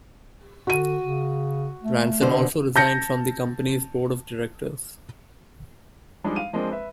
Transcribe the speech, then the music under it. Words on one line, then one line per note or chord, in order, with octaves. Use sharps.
Ranson also resigned from the company's Board of Directors.
D3 F#4 D#7
C#3
A3
B2 D3 C5
A5 G6 A#6 C#7
F3 G3 G#3 D4 D#4
F5 D#7
F3 G#3 A#3 C4 D4
B4 E5